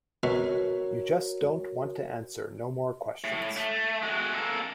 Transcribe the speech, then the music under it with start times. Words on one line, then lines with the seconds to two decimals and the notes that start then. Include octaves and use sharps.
You just don't want to answer no more questions.
0.23 B2 F#4 A#4 C#5
3.24 A2
3.57 A3
4.03 G#3 F#4
4.34 A#3 A4